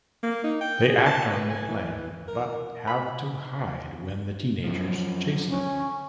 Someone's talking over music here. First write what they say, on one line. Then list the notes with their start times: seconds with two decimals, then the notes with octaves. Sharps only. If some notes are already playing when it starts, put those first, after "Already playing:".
They act on their plan but have to hide when the teenagers chase them.
0.23 A#3
0.44 D#4
0.61 G5
0.88 G#4
1.06 A5
1.30 B4
1.50 G#5
1.68 E3
2.28 A#4
2.87 B5
4.64 F#2 F3
5.47 C#4